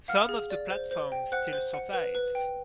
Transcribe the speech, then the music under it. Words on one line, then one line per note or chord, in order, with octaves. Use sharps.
Some of the platform still survives.
F5 F#5 F6
G#4
D5
C5
C5
G5
C5 F#5 F#6
C5
F#5
B4
B4
G5